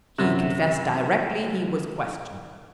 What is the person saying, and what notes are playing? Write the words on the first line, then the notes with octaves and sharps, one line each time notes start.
He confessed directly he was questioned.
F#2 C3